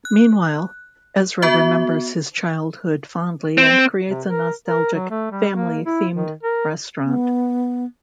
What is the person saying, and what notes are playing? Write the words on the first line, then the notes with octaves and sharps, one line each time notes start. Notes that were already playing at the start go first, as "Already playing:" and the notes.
Meanwhile, Ezra remembers his childhood fondly and creates a nostalgic family-themed restaurant.
F#6
B3 F#4 E5
C4
C3
A#4
A#4
F#3
A3
G3
A#3
E4
D#3
A#4
B3